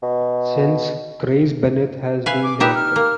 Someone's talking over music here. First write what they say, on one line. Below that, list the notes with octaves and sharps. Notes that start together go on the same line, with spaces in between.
Since Craig Bennett has been director.
B2
B4 E5 F5 G#5
D6
D#4 G4 B4 E5
F6
A#3